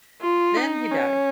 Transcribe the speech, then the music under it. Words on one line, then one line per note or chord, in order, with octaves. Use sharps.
Then he died.
F4
D#4
C#4